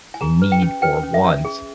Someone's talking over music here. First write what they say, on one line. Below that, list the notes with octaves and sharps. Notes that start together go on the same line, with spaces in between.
I need or want,
G#5
G#4 A#5
B4
G5
C#4
B4 G5
C#4
E5
C#4
G#4